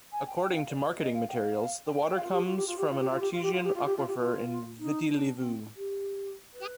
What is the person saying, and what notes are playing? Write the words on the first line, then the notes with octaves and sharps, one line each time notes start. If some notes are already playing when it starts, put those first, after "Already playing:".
According to marketing materials, the water comes from an artesian aquifer in Viti Levu.
G#5
G5
G5
F5
D5
D5
D#5
F5
G5
F5
G5
G5
F5
F4
G4
F4
G4
F4
G4
F4
G4
F4
G4
F4
G4
F4
G4
F4
G4
F4
G4
F4
D#4
D4
C4
G4
B4